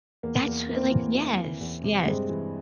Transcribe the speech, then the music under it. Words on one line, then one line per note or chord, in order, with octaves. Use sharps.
That's what like, yes. Yes.
E2 A#3
E2 A#3
E3 A#3
C4
A#3
E3
E3
E3
E2
C3
G2 G#3 C4
E3